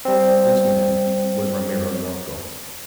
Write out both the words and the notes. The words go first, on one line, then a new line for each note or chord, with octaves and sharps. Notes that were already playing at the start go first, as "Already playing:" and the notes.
This man was Ramiro d'Orco.
G3 C4